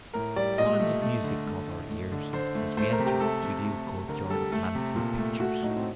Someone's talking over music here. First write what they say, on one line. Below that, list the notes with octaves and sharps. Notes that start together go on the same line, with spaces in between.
Sounds of music caught our ears as we entered the studio courtyard of Manton Pictures.
A2 A#4
G3 D5
A#2 D#5
A3
A3
D3
A3
A2
A3
D3
D3 C5
A3
A3 C5
A#4
C3
G4
A3 A4
C3
A3
C3
D3 A#4
G3 A4
A3 A4
C3
A#2
A3
A3 F#4
A2 D#4
C4